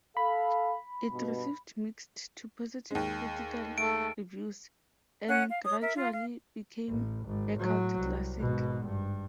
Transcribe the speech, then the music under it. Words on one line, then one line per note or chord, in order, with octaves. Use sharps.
It received mixed to positive critical reviews, and gradually became a cult classic.
A4 F5 B5
G2 B2
D#2 G#3
A3 A4 D7
C#4 F#5 F#6
F5
C#5 D#6
A#4 E5
F4 F5
F5
A1
G#1
A2 F#3
C2
G#1 B2
G2